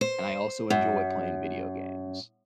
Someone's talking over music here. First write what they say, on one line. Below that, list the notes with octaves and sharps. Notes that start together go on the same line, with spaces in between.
and I also enjoy playing video games,
C5
F#2